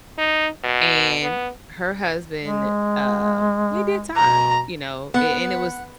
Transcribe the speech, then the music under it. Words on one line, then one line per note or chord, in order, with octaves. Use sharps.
and her husband, um, he did time, you know, a and it was
D#4
B2
B3
G#3
B2 A#5
B3 F#5